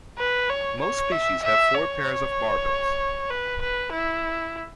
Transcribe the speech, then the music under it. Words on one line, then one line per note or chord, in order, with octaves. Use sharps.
Most species have four pairs of barbels.
B4
C#5
C#5
E5
E5
C#5
B4
B4
E4